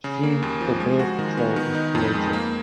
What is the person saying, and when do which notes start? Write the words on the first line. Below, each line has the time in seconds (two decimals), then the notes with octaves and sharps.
Soon, the Bear Patrol is created.
0.04 C#3
0.23 A#3
0.42 D#2
0.61 F3
0.80 G#3
0.99 F#4
1.19 D#3
1.37 B3
1.56 D#3
1.75 D#4
1.95 F2
2.13 G#3
2.33 A#3